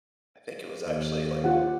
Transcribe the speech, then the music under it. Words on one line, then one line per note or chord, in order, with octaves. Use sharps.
I think it was actually, like
D#2
F4 G4 F#5